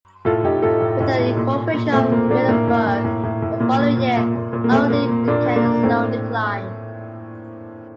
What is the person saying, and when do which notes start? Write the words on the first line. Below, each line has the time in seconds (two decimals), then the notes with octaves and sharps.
With the incorporation of Middleburg the following year, Aldie began a slow decline.
0.25 A2 F4 A4
0.43 A2 D#4 G4
0.62 A2 F4 A4
0.81 A2
1.00 A2
1.19 A2
1.37 A#2
1.56 A#2
1.74 A#2
1.92 A#2 A3 C4
2.12 A#2 A#3
2.30 A#2 A#3 D4
2.49 A2 A#3
2.67 A2
2.87 A2
3.04 A2
3.23 A2
3.42 A2
3.60 A#2 A#3
3.79 A#2
3.97 A#2
4.17 A#2
4.35 A#2
4.53 A#2
4.64 A#3
4.71 A#2 A3 C4
4.90 A#2 A#3
5.09 A#2
5.28 A#2 A#3 D4
5.46 A#2
5.56 A#3 D4
5.64 A#2
5.83 A2 A3 C4